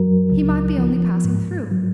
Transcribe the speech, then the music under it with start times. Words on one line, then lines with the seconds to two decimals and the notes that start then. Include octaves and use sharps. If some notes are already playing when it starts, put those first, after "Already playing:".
He might be only passing through.
Already playing: F#2 F#3 A#4
0.32 C#2
0.78 F3
1.25 G#2
1.71 F#3